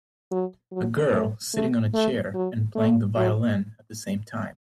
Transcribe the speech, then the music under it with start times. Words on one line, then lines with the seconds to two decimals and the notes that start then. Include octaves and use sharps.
A girl sitting on a chair and playing the violin at the same time.
0.32 F#3
0.72 F#3
1.13 A3
1.54 A3
1.94 A3
2.35 F#3
2.75 A3
3.16 F#3